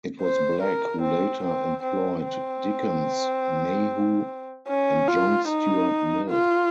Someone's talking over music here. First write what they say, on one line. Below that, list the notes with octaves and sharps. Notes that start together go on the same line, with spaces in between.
It was Black who later employed Dickens, Mayhew, and John Stuart Mill.
C5
A#4
C4
C4
C4
C4
C#4
F4
D#4
F4